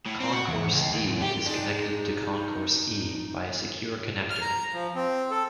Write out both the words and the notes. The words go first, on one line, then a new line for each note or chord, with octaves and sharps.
Concourse D is connected to concourse E by a secure connector.
A2
C4
F#4
E2
C#2
D#2
F#2
G4
G#3 D4 D#4 G#4
F6
A#5
F3
C4
A4